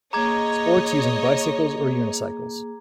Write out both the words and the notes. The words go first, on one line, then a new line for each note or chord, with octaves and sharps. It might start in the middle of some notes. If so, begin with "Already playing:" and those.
Sports using bicycles or unicycles.
A#3 G#4 C#5 D#5 A#5 D6 G#6